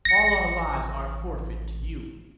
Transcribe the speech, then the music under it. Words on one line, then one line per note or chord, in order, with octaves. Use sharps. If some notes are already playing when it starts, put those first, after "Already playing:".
All our lives are forfeit to you.
A1 A#6 C#7